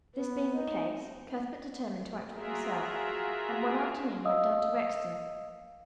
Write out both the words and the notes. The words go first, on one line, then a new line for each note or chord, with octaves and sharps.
This being the case, Cuthbert determined to act for himself, and one afternoon went down to Rexton.
B3
D#4
F4 F#4 G#4 A#4 E5
D#5 F5 D#6 E6